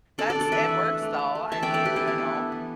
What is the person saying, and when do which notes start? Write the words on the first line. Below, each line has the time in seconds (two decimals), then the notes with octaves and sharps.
That's it works, though, I mean, you know,
0.18 D4 A4 D5
0.30 A4 D5
0.35 D4
0.41 A4 D5
0.52 E3 B4 E5
0.69 A3
0.85 D4
1.02 A3
1.19 A3
1.35 A3
1.52 E3 E5 A5
1.63 D5 G5
1.68 D4
1.74 A4 D5
1.85 E3 G4 B4
1.96 E4 A4
2.02 B3
2.07 E4
2.18 D4
2.35 B3
2.52 E3